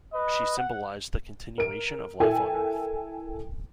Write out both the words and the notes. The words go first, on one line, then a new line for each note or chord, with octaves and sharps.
She symbolized the continuation of life on Earth.
B4 D#5
F#5
A#4 D7
E4 A4 A#4 G5 G#5